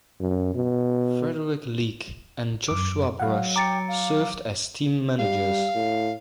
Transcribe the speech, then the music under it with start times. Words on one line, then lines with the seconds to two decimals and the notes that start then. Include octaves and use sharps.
Frederic Leake and Joshua Brush served as team managers.
0.20 F#2
0.54 B2
2.68 F#2 D6
3.19 F#3 F5 F#5
3.56 G5 A#5 D6 A6 C#7
3.88 F5
5.19 G3 F5
5.75 A2